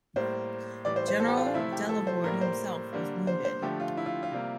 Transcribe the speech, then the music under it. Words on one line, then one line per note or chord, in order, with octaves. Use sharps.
General Delaborde himself was wounded.
A2 G3 A#3 C5
A2 E3 G3 D5
C5
C5
A4
G4
F4
D4
C3 F3 A3 E4
G4
A4
C5
A2 G3 A#3 A#4
C5
D3 G3 A#3
C5
C5
D3 F3 A3 G4
F4
E4
F4
F4
C3 G3 A#3